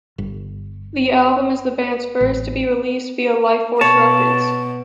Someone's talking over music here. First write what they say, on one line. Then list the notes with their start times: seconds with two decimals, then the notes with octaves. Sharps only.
The album is the band's first to be released via Lifeforce Records.
0.18 G1
2.21 A1
3.81 B2 C#5 A5